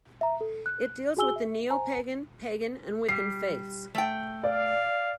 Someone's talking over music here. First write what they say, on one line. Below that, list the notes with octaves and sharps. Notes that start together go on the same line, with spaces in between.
It deals with the Neopagan, Pagan, and Wiccan faiths.
E5 A#5
A4
F#6
F#4 G#4 G#5 E6 G7
E5
C5 G#5 A#5
G3 C7
A3 G5
D5 F5